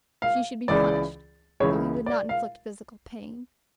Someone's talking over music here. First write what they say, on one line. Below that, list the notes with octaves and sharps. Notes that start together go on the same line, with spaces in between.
She should be punished, though he would not inflict physical pain.
F5
C#2 C#3 E3 D5
C#2 C#3 E3 C#5
D5
F5